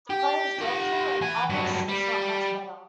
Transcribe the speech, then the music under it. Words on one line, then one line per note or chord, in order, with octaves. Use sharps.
The play is dreadful, and Avice is not much better.
G4
G4 F#5
E3 G#5
G2 F#3
G3